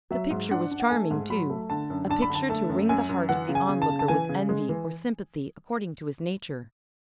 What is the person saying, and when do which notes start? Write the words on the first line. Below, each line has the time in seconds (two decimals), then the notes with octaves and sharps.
The picture was charming, too--a picture to wring the heart of the onlooker with envy, or sympathy, according to his nature.
0.11 F#3 E5
0.31 G#2
0.51 D4 F#5
0.71 D4
0.80 F#5
0.90 A3 G#5
1.11 G#2
1.30 F#3 B5
1.50 A3
1.70 D3 A5
1.90 F#2
2.10 D4 A5
2.22 B5
2.30 D3 A5
2.50 A3 A5
2.69 F#2
2.89 F#2 G#5
3.09 F#2
3.29 E3 F#5
3.49 C#3
3.55 G#5
3.69 C#3
3.82 A5
3.89 C#3
3.99 A5
4.08 E3 G#5
4.29 C#3
4.49 G#3
4.69 E3